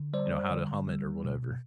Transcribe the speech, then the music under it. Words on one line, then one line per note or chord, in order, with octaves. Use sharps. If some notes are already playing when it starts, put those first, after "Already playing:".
you know, how to hum it or whatever.
Already playing: D3
G3 C5 D5
D3
G3
B2